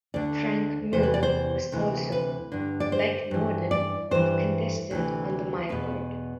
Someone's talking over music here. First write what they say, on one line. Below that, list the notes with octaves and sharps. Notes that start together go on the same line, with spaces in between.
Frank Muir was also, like Norden, a contestant on the My Word!
D2 D3 D5
E2 C3 E3 C5
B4
D5
C5
D2 C3 E3
B4
G2 D3
D5
C5
G2 E3
D5
G2 E3 C5
D2 C3 E3
E2 B2 B4